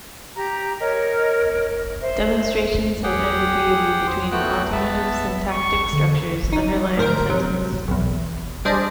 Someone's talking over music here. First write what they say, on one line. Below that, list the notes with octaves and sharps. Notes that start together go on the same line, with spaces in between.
Demonstrations of ambiguity between alternative syntactic structures underlying a sentence.
G4 A#5
A#4 C#5 D#5
C5 E5
G4 G#4 F#5 G5
C5
A3 B3 F#4 G5 F#6
B3 E5 A5
C#6
D3
D#4
D2 G#2 A#4 C5 D7
C3 F#3
B1 E2
G3 D4 G#4 C5 D5 D#5